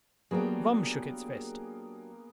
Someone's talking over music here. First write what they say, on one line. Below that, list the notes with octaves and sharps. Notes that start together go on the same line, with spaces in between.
Rum shook its fist.
F#3 A#3 B3 D4 G4 G#4